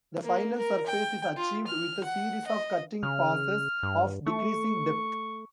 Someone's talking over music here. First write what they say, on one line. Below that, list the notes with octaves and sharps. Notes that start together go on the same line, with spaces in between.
The final surface is achieved with a series of cutting passes of decreasing depth.
A#3
A#4
G5
F4
F6
F#5
D#5
C#3 F6
G2
A3 C#6